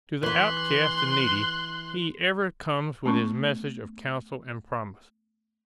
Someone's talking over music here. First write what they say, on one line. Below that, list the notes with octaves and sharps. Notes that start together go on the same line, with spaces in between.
To the outcast and needy he ever comes with his message of counsel and promise.
E3 B4 C6 F#6
A3 B3 C#4